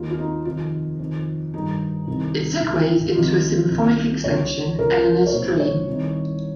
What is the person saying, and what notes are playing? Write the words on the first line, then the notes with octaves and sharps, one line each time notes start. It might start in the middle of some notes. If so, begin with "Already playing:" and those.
It segues into a symphonic extension, Eleanor's Dream.
Already playing: D#2 D#3 F4
F4
D#4
F2 C3 D#3 F4
F2 C3 D#3
G2 D#3 D#4
C2 C3 D#3
C#2 C3 D#3
C2 C3 D#3 F4
C2 C3 D#3
C#2 C#3 C#5
C#2 C#3 A#4
C#5
C2 A#2 C5
C#5
C2 C3 D#3